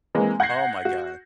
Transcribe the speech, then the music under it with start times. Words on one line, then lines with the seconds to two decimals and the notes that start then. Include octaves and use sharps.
Oh my god.
0.15 E3 G#3 A#3 C4
0.40 F#5 G6 G#6 A#6 C7
0.85 F#4